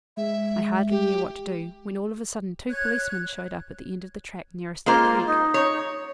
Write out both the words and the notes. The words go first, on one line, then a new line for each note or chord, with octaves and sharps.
I hardly knew what to do, when all of a sudden two policemen showed up at the end of the track nearest the creek.
G#3 E5
G4
C#5 F#6 G#6
G#3 A#3 F4 C5
D#4
C#5